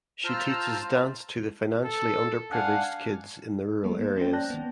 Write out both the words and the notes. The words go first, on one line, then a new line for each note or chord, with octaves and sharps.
She teaches dance to the financially under privileged kids in the rural areas.
F4 C5 A5 A#5 E6 F6
A4
D4 F5 F#5 G#5
F#3 G#3 A#3 B3 A4
A#3
C#4 C5 G5
D5 G5 A5 F#6 G6 A#6
D#3 B3